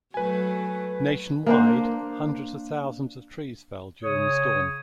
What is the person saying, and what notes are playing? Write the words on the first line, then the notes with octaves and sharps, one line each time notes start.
Nationwide, hundreds of thousands of trees fell during the storm.
F#3 A3 B4 G#5
A#3 D4 C5
C#3 C#5 D#6